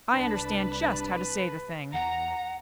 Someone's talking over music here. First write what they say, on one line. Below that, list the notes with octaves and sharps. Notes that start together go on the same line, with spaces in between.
I understand just how to say the thing.
C2 D4 B4 A5 B5
E2 F#5 A#5